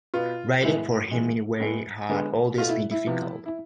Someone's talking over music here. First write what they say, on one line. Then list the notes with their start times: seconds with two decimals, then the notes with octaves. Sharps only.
Writing, for Hemingway, had always been difficult.
0.14 B2 B3 F4
0.63 A2 G#3 B3 E4
1.11 A2 E3 G#3
1.60 A2 G#3 B3
2.09 D3 G#3 B3
2.58 B2 A3 F4
2.69 E4
2.91 E4
3.07 C3 F3 B3
3.46 E4